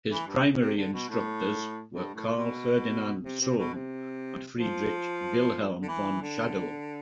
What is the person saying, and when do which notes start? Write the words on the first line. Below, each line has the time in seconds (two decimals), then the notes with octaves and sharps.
His primary instructors were Karl Ferdinand Sohn and Friedrich Wilhelm von Schadow.
0.10 E3
0.26 G2
0.59 C3
0.76 D3
0.93 B2
1.09 A2
1.91 G2
2.14 A2
2.36 B2
3.24 C3
3.41 C3
3.57 B2
3.74 C3
4.56 F3
5.82 D3
5.88 E3
6.21 D3